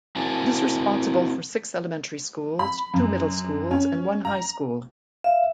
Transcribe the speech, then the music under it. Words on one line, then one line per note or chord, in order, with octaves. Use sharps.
It is responsible for six elementary schools, two middle schools and one high school.
C4 E4 F#4 A#4 G#5 A5
B5
F#2
C#4
A#5
E5 F5